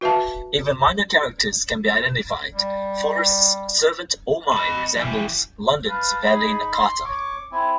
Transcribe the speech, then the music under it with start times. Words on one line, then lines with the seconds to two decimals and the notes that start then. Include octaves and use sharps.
Even minor characters can be identified; Forrest's servant Oh My resembles London's valet Nakata.
0.01 F#4 B4 E5 F5 A5
2.54 G3
4.53 D#5 B5
4.97 E3 G4
5.88 B4 F5 A5
6.23 D#4 G#4 B5
6.72 C6
7.05 C#5 C#6 D6
7.52 C4 E4 G#5